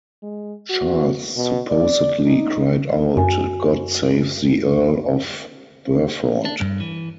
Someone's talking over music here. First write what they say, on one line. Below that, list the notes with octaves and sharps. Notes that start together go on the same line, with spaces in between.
Charles supposedly cried out God save the Earl of Burford!
G#3
F#4
B2
D5
D#4
F#2 F#4 G#5
D4
G2
E3